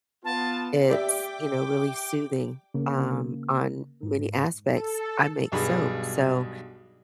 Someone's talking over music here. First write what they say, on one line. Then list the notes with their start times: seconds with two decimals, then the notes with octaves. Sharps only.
it's, you know, really soothing, um, on many aspects. I make soap, so
0.24 B3 F4 A5
0.89 G4 D5 E5 G5 D6
2.74 C#3 A#3
4.03 G#2
4.72 A4
5.52 B1 G2 G#4 B5